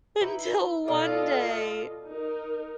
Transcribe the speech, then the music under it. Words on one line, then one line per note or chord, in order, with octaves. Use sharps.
Until one day,
D#4 E4 B4
B2 F4 A4 D5 D#5
D#4 A#4